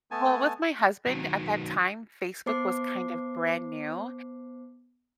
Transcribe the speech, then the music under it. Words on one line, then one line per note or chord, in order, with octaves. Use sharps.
Well, with my husband, at that time, Facebook was kind of brand new,
A3 B3 G#5 A5
D#3 F#3
B3 C5 A5 D6 C7